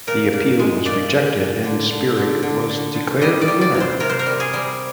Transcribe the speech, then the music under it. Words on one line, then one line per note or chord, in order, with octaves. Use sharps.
The appeal was rejected and Spirig was declared the winner.
A#2 A#4
A#2
G#3
A#2 D5
A#2
A#2
D3
D3
D3
D3
D3
D3
G3 D#5
D5
G3
D5
C3
C5
C3 A#4
C5
A#4
G3
G#4
G3